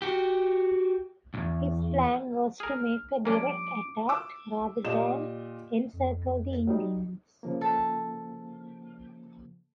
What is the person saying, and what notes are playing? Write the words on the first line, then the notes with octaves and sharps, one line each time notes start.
His plan was to make a direct attack rather than encircle the Indians.
F#4 G4
B1 E2
G#4 A#4 F6
F3 G3 A#3 C#4 D4 D6
D6 E6
A#2 G4 D#5 E7
F2
F#3 G3 D#4
C#3 F3 A#3
A4